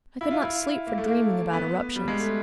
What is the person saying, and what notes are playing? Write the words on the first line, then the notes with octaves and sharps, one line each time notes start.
I could not sleep for dreaming about eruptions.
E4
F4
E4
A#3
A3
A#3
B3
G3
G#3
A3